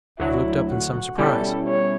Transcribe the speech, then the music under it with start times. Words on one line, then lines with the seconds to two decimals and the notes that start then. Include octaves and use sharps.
He looked up in some surprise.
0.19 D2 D3 F#3 E4
0.68 F#4
1.18 B2 G3 C#4 E4 A4
1.68 C#5